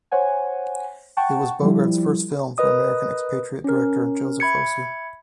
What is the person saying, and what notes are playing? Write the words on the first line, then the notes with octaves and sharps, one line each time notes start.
It was Bogarde's first film for American expatriate director Joseph Losey.
C5 C#5 F#5 G#5
F#5 G5 A5 C#6
F3 G3 E4
A#4 B4 D#5 D#6
C#4 A#4
E5 B5 G#6 C#7